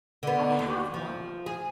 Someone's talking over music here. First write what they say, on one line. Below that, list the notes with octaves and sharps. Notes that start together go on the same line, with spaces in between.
"I have one."
D3 B3
D#2
F3
G#4